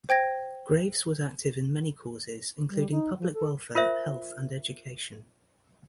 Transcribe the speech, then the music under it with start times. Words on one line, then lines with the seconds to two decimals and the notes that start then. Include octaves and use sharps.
Graves was active in many causes, including public welfare, health, and education.
0.09 C5 G5 G#6 A#6
2.69 G3
2.91 D#4
3.19 F3
3.33 A4
3.75 F4 A#4 C5 E5